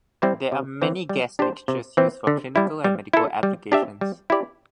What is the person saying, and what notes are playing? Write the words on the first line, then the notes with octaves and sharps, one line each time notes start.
There are many gas mixtures used for clinical and medical applications.
G3 C4 E4 C5
C3
E3 C4
G3
D4 G4 C5
C3
E3 C4
D3
G3 E4
G3
E4 A4
G3
D4 G4 E5
G3
E4 G4 D5